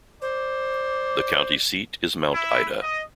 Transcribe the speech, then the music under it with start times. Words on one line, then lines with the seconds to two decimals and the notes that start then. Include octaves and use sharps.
The county seat is Mount Ida.
0.22 C5 D5
2.33 E4
2.82 D#5